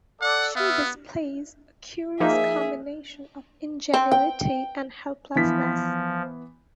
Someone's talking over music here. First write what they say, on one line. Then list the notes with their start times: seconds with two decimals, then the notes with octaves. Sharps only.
She displays a curious combination of ingenuity and helplessness.
0.21 A4 D5 F#5
0.56 B3 E5 F5
2.20 F3 A#3 D#4 G#4 E5
3.94 C4
4.11 G5
5.36 E3 F3 B3 B6